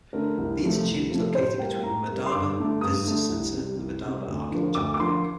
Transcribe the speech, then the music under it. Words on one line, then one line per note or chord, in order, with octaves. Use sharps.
The Institute is located between the Madaba Visitors Center and the Madaba Archaeological Park.
D3 A3 A#4
C2
C3 F3 A3
C2
C3 F3 A3
A2 C5
G3 A#3 G5
A2 A#5
G3 A#3
C6
G2 D6
D3 A3
G2 D#6
D3 A3
C2
C3 G3
C2
C3 G3
D2
D3 F3 A#3
D2 D6
D6
D3 F3 A#3 C6